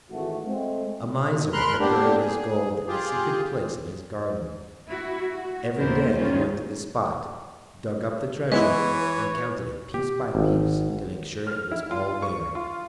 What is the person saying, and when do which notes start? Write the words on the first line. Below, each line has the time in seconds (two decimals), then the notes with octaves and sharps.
A Miser had buried his gold in a secret place in his garden. Every day he went to the spot, dug up the treasure and counted it piece by piece to make sure it was all there.
0.10 G#1 E3 A3 F#4
0.46 G#3 A3 C4
1.30 D#2 B2
1.53 G#3 A#4 B5 C6 F6 F#6
1.80 A#3 B3 D4 G4
2.20 G#4
2.88 F4 G4 G#4
4.87 E4 F#4
5.31 F#4
5.77 D#2 A2 E3 B3 A#4 C5
6.14 D#3 G3 C#4 F4
8.52 E3 G#3 B3 E4 B4 C#5
9.94 G4
10.35 G#1
11.47 F6
11.71 E4
11.91 F4
12.22 C#6
12.55 F4